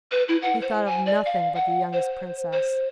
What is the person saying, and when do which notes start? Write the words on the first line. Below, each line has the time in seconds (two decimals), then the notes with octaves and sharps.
He thought of nothing but the youngest Princess.
0.11 B4
0.28 E4
0.42 F#5
0.62 C5
0.86 G#5
1.06 D5
1.26 F5
1.55 F#5
1.93 C5
2.53 C5